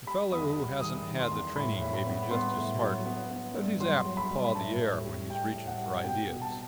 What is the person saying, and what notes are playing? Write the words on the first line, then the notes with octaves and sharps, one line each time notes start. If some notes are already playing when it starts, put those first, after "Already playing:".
The fellow who hasn't had the training may be just as smart, but he's apt to paw the air when he's reaching for ideas.
G3 B5
E2 D#6
G3
D#3 D#6
D#3
C6
E2
A2 B5
A2
B5
B3
B3 C6
A2
F#3
B3
B3
G2
F#3 C6
F#3
B5
G2
A2 A5
G3
G3
G3 G5
A2
F#5
G3
B2 G5
B2
A5